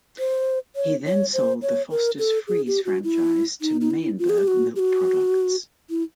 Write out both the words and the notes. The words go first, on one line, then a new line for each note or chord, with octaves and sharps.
He then sold the Fosters Freeze franchise to Meyenberg Milk Products.
C5
C#5
C#5
C5
C#5
A#4
A4
G#4
G4
F#4
E4
D#4
D#4
E4
F4
G#4
G4
F#4
G4
F#4
E4